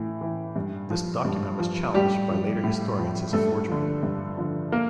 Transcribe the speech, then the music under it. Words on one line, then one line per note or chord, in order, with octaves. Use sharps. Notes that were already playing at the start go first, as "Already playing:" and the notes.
This document was challenged by later historians as a forgery.
Already playing: A2 E3
E3
G2
F3
G2
F3
A2 G3 G4
F3
A2
F3
G2 A3 A4
D3 F3
G2
D3 F3
A#3 A#4